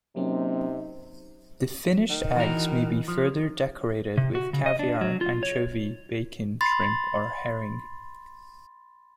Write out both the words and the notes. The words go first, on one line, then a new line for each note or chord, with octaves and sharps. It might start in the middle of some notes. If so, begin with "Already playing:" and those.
The finished eggs may be further decorated with caviar, anchovy, bacon, shrimp or herring.
C3 F#3 A#3 C4 C#4 D#4
D#3
E3 F#4 A#4
F3
C3
F#4
C#3
D#5
D4
F#3
F4
C#5
B5 C6 A6